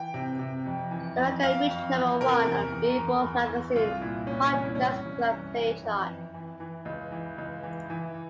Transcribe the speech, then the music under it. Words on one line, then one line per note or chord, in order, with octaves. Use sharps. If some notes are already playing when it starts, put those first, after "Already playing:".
The record reached number one on "Billboard" Magazine's Hot Dance Club Play chart.
Already playing: E3 G5
C3
C3
F2
E3
F2
F2 F5
F2
E3
C3 A#4
E2
E2
E2
E2
E3
C2 F4
A#2 E4
A#2 C#4
C2 C#4
E4
C2 C#4
C2
E3
E3
F2
E3
E3
E3
C#2
E3
C#2
E3
E3